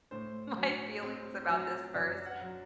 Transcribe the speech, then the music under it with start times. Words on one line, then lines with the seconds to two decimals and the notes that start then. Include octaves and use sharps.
my feelings about this first,"
0.11 A2 C5
0.58 F#3
1.03 C4
1.49 F#3
1.95 F#2 D5
2.26 F#5
2.41 F#3